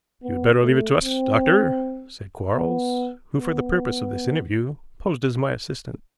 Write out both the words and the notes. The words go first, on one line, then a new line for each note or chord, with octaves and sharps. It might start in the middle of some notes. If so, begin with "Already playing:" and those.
"You had better leave it to us, doctor," said Quarles, who, for the purpose of this interview, posed as my assistant.
B3
A3
C4
B3
B3